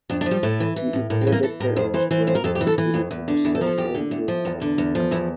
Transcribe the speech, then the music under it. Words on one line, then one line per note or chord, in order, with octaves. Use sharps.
The intended parents were a homosexual male couple.
F2 D4
D4
F3
G3
A2 A3
E3
E3
A2
A2 A#3
C4
E3
A#3
E3 A4
A2 A#4
F2 C5
E3 C5
E3 C5
F2 C5
A#4
F2 A4
G4
E3
A4
E3
F2
E2
D3
E2 E4
A4
F3 A#4
A4
E2 G4
D3
E2
F3
E2
D3
E2
F3
E2 E4